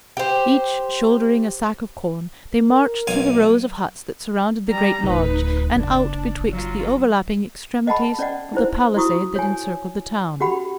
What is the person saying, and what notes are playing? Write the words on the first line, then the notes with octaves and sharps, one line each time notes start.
Each shouldering a sack of corn, they marched through the rows of huts that surrounded the great lodge, and out betwixt the overlapping extremities of the palisade that encircled the town.
G4 C5
A#4
B1 F5 G#5
G3 A#5
D1 D#4 B4
F#1 D4
F#3 F4
D#5 F#5 A5 B5
C#4 D5 D#5 F#5
D#4 E4 C5
E4 F#4 C#6 D#6
C#5 G#5
C#4 F#4 G4 F#5 B5